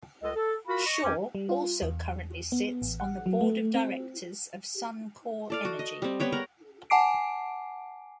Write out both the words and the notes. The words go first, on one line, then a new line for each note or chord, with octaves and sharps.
Shaw also currently sits on the board of directors of Suncor Energy.
C#2 G#3 A4 D#5
A4
F4 F#4 A#4 B5
D#5 C#6
F2 C#4 G5 G#5 D6
G3
F4
E2
B3
A1
F#5
F#3
A3
C4
A4 D5 F5
F#4
D#5
G3 C4
B3 B4 C#5 G5
A#4 F#5 A#5
F#5 G#5 A5 D6 C7 D7